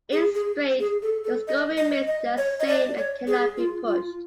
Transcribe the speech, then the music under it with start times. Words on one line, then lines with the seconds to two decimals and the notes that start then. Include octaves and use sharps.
In 'straight', the score remains the same and cannot be pushed.
0.12 G#4
0.35 G#4
0.80 G#4
1.03 A4
1.24 A4
1.48 D#5
1.77 D#5
2.07 D#5
2.38 C#5
2.60 D#5
2.68 D5
2.98 C#5
3.27 G#4
3.57 F4
3.87 F4